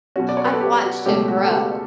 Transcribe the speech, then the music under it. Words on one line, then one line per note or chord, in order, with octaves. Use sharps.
I've watched him grow,
B2 F#3 C#4 F#4
D5
C#5
B4
A4
G4
F#4
C#2 B2 A3 C#4 G4
F#4
A4
G4